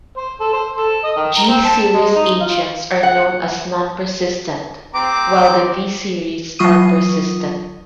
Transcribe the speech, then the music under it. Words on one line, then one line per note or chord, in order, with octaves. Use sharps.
G series agents are known as non-persistent, while the V series are persistent.
C5
A4
C5
A4
D#5
D#3
A#5
C4
A5
G#3
D#4
F4
F#5
C4 A#5 D6
E3 F#3 F4 C#6 D#6 D#7